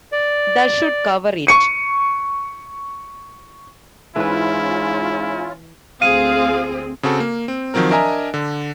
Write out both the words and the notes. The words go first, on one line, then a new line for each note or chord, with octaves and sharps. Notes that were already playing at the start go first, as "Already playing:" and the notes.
That Should Cover It!
D5
C#6 C#7 D#7
G#2 E3 C#4 E4 F4 B4
D2 C4 F4 G#4 F5 D#7
C#3 C4 F#4 A4
A#3
C4
D#3 F3 F#3 C4 A#4
D4 A#4 D#5 E5 G#5 A#5
D3